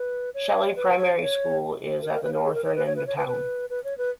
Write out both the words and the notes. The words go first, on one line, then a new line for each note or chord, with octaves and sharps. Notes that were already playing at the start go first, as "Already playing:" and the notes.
Shelley Primary School is at the northern end of town.
Already playing: B4
C#5
B4
C#5
C#5
A#4
A#4
B4
A#4
G#4
A#4
C#5
B4
C#5
B4
C#5
B4
B4
B4
C#5
B4